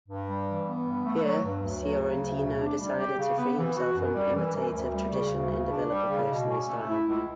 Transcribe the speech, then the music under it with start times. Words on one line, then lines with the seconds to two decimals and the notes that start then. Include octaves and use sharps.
Here Sciortino decided to free himself from imitative tradition and develop a personal style.
0.09 G2
0.27 G3
0.47 E3
0.67 B3
0.85 G2
1.05 A3
1.24 F#3
1.44 G2
1.63 D2
1.83 F#3
2.02 C#3
2.21 D2
2.41 B2
2.60 D4
2.79 G3
2.99 G4
3.18 C#3
3.37 B3
3.57 E3
3.76 F#4
3.96 F#2
4.14 G3
4.35 E3
4.54 F#2
4.73 D2
4.92 G3
5.12 C#3
5.31 D2
5.50 C#3
5.70 D4
5.90 G3
6.09 C#3
6.28 B2
6.47 C#4
6.67 A3
6.87 E4
7.05 C#2